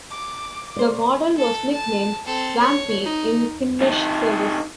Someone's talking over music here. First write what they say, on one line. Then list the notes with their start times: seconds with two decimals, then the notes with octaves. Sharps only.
The model was nicknamed "Vamppi" in Finnish service.
0.10 D6
0.76 C5 D5
1.36 A4
1.71 A5
2.25 C4 A4
2.58 C#5
3.04 D#4
3.81 C3 D#4